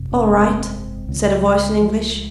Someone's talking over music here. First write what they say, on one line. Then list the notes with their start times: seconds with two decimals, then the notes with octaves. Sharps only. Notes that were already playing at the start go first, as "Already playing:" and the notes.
"All right," said a voice in English.
Already playing: G1 F2 C3
0.12 A#3 C#4
0.36 C4
0.47 C#4
0.57 G#3 C4
1.08 C#2 C#3
1.81 F3 G#3